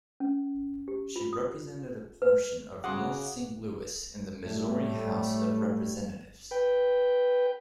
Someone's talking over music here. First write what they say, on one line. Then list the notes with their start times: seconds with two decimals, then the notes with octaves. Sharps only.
She represented a portion of North Saint Louis in the Missouri House of Representatives.
0.20 C#4
0.88 G4
1.16 F4
1.33 D#6
2.22 B4
2.84 C#3 F#4 G#4 F#5 C6 D6 D#6 F#6
4.44 A2 G3 A3
6.51 B4 G5